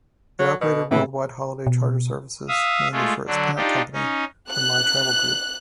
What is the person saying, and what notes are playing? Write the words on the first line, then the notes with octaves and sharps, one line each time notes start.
It operated worldwide holiday charter services mainly for its parent company, the MyTravel Group.
F#3
B2
A2 C3 E3 A3
B2
E5 F5 D#6
G#3 A3 F4
D3 F#3 D4
D4 D#4 F4 G4
C#4 D#4
F#6